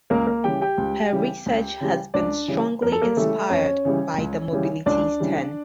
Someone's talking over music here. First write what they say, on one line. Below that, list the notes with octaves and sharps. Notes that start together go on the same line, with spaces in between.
Her research has been strongly inspired by the mobilities turn.
C#2 A#3 A#4
A#3 A#4
C#3 E3 G3 G4 G5
G4 G5
C#2
C#3 E3 G3
C#2
C#3 E3 G3
C#2 D4 D5
C#3 E3 G3
F2 A#4
A4
A#3 A#4
C#3 E3 G3 A3 A4
F2 C#4 C#5
C#3 E3 G3
C#2
C#3 E3 G3
C#2 D4 D5
C#3 E3 G3